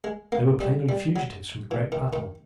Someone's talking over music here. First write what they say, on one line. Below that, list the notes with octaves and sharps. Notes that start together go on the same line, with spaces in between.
They were plainly fugitives from the great battle.
G#3
A#3
G3
G3
F#3
E3
D#3
D#3